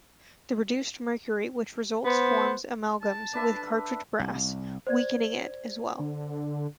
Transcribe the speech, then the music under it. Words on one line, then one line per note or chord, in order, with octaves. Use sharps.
The reduced mercury which results forms amalgams with cartridge brass, weakening it, as well.
B3 C5
A5
D4 B4 E5
C2
C5 D5 G#6
D3